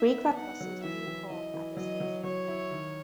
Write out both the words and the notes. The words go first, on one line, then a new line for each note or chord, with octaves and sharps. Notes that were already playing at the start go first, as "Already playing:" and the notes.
Frequent buses do call at the station.
Already playing: D#4 E5
B3
D#4 F#5
F#3
E3 E5
E3
E3 D#5
E3
F#3 D#5
F#3
F#3 C#5
E4
D#3